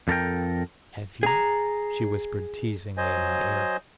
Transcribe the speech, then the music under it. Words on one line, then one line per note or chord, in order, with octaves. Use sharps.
"Have you?" she whispered teasingly in my ear.
F2 A4 A#4 G5
G#4 A#5
F#3 C5 D#5 G#5